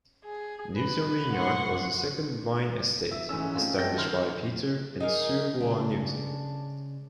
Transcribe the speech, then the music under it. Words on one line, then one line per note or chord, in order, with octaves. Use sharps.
Newton Vineyard was the second wine estate established by Peter and Su Hua Newton.
G#4
B4
F#5 C6 C#6
E5 E6
G#2 E3 A3 C#4 E6
G#3 A3 C4 C#4 F4
D#4 F#4 A4 G5 G6 A#6
D#3 B4 C6 F6
D#4 G#4 A#4
C#3 G#3 D4